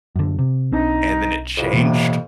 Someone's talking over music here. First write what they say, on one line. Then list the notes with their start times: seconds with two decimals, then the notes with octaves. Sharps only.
and then it changed,
0.16 F#2 D3
0.39 C3
0.72 B1 C4 D4 D#4
1.57 F2 A2 C3
1.73 B2 E3 A#3